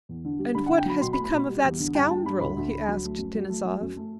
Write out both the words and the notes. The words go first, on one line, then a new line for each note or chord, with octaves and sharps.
"And what has become of that scoundrel?" he asked Denisov.
E2
D3
G3
D3 B5
F#5
D3
G5
F#3 B5
B2 C6
B5
A3
B5
B2
B5
G3
E2
D3
G2 G5
G2 A5
G2 B5
D2 B5
D2
D2
F#3
A3
F#2
F#3
A3
F#3
F#2
A3